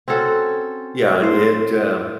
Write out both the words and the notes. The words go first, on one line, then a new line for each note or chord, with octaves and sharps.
Yeah, and it, um,
C4 C#4 F#4 A4
A2 C5